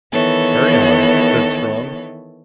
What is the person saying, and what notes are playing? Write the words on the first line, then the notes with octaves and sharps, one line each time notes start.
"Carry on," said Strong.
D#3 E3 B3 A4 C#5